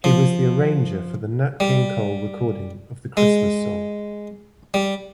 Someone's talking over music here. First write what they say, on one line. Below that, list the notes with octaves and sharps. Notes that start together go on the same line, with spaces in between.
He was the arranger for the Nat King Cole recording of The Christmas Song.
F3
G3
G#3
G3